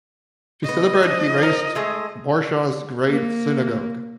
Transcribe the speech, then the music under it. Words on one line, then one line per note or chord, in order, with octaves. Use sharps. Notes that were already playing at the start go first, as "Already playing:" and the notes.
To celebrate he razed Warsaw's Great Synagogue.
C#3 B3 D#5
F3 C#4 D4
A#4
G#3 A3 G#4
A#3